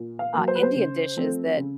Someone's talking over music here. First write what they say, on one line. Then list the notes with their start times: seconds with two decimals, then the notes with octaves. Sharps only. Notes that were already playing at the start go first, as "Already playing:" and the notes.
uh, Indian dishes that,
Already playing: A#2
0.19 F5
0.33 F#3 A#3
0.48 C5
0.55 B4
0.63 C5
0.75 C#3
1.16 F3 A3 C4
1.57 C#3